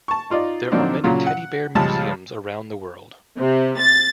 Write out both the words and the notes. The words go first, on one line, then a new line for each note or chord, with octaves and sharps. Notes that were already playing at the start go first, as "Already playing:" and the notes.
There are many teddy bear museums around the world.
A5 C#6
D#4 F4 D5 D#5
D3 F3 F#3 C4 D4 D#4
A#2 C#3 F#3 F4
F#5
C#2 F3 G3 G#3 A5
C3
A6